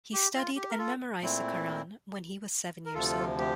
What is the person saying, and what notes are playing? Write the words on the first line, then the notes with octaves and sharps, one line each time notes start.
He studied and memorized the Qur'an when he was seven years old.
G4
F4
G4
A#4
F4 A4
A#2 A3 C4 E4
A#4
D2 C3 F3 F4 A4
G4